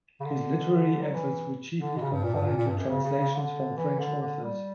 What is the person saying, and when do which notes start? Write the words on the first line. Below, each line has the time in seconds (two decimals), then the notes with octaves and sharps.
His literary efforts were chiefly confined to translations from French authors.
0.20 C#3
0.25 D3
1.02 F#3
1.13 E3
1.79 D3
1.96 B2
2.02 C#3
2.12 G2
2.23 A#2
2.34 G2
2.46 A#2
2.57 A#2
2.67 G2
2.78 F#2
2.89 C#3
3.04 C#3
3.19 C#3
3.33 D3
3.77 E3
3.99 D3
4.22 D3
4.43 G3